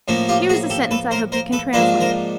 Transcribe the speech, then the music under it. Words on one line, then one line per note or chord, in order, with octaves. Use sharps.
"Here is a sentence I hope you can translate."
A2 F3 A#3 C#4
F4 G4
F#4 G#4
G4 A4
A4 B4
A#4 C5
A#4 C5
A4 B4
G#2 F3 A#3 D4 F4 A4 B4
A#4 C5